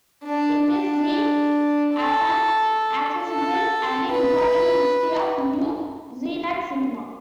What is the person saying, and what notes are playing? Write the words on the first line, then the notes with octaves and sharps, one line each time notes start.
It is seen as an accessible and important history of New Zealand cinema.
D4
D4
A4
A4
B4